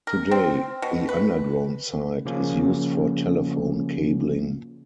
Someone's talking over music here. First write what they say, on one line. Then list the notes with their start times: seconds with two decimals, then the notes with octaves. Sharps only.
Today the underground site is used for telephone cabling.
0.07 A#4
0.31 C4
0.82 B2
1.09 B4
2.25 C#3 F3 A#3 C#4